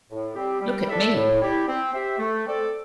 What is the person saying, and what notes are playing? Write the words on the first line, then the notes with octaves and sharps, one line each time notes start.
Look at me!
A2
G3 C4 G4
G3
D4 A4 E5
A2
G3 E4 G4
C4
G4 C5 E5
A3
C4 A4 D5